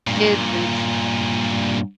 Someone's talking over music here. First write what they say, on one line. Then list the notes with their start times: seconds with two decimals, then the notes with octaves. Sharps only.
kids and
0.07 G2 A#2